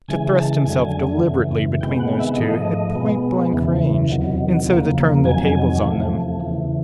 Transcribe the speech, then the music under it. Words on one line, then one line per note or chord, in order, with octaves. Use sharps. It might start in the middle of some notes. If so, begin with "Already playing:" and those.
To thrust himself deliberately between those two, at point-blank range, and so turn the tables on them!
C#3 E3 G#3 G#5
A5
F2 D3 F#3 A3 G#5
F#2 C#3 E3
C3 D#3 G#3 B3 G5
F#5
E5
G#2 F3 A3 D#5
B2 G#3 B3
E2 C#3 E3
E2 C3 D#3 F#3
E2 C#3 F3 A#3
F2 C3 D#3 F#3 G#5
E2 C3 F3 A3
E2 C#3 E3